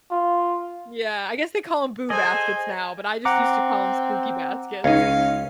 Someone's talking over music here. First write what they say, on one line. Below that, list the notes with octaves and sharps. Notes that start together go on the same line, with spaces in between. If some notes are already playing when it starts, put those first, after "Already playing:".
Yeah, I guess they call 'em, "Boo Baskets" now, but I just used to call 'em spooky baskets.
F4
G#4 A4 C5 D#5 G#5
C4 F#5 A#5 D6
C#2 C#4 D#4 F5